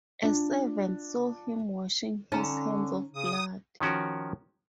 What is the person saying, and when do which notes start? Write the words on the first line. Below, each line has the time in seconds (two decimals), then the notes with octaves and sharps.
A servant saw him washing his hands of blood.
0.23 D4 F4
2.32 D3 C#4 D#4 A#5
3.13 C#3 D#6
3.80 D#3 F3 C#4 F#4 A#4